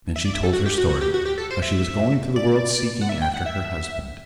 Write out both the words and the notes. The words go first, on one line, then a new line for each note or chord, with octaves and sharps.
Then she told her story--how she was going through the world seeking after her husband.
E5
D5
E5
A4
F#4
G4
F#4
F#4
G4
F#4
G4
A4
C5
E5
D5
F#5
E5
G5
F#5
E5